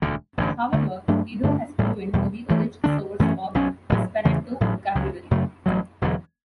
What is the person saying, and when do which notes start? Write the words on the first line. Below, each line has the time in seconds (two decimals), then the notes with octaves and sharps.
However, Ido has proven to be a rich source of Esperanto vocabulary.
0.02 E1 D2 D3
0.38 A1 G2 D3
0.73 D2 D3 A3
1.08 G2 F#3 A3 D4
1.43 G2 D3 A3 D4
1.78 A1 A2 G3
2.13 E2 B2 G3
2.49 G2 E3 A3
2.84 D2 D3 A3 D4
3.19 F#2 E3 A3 C#4
3.55 B1 B2 F#3 C#4
3.90 A1 A2 F#3
4.25 E2 C#3 E3 A3
4.61 A1 A2 F#3
4.95 C#2 C#3 F#3
5.31 F#2 C#3 F#3 A3
5.66 A1 G2 F#3
6.02 E1 E2 D3 F#3